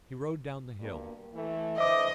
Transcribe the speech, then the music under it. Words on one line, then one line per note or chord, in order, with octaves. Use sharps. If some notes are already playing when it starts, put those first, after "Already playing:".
He rode down the hill.
G2 B2 A#3
E3 A3
D3 E3 C5 D#5 E5 D6 D#6